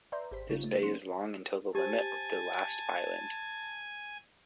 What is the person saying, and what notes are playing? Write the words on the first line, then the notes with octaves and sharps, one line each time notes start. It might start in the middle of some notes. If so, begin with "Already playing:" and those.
This bay is long until the limit of the last island.
B4 D5 E5 A#5 C6 G6
G#1 G4 C5 B6
C#3 G3 C#4 D#4 F4
A3
F#3 A#3 C#4 C6 C#7
G4 C5 G#5 A5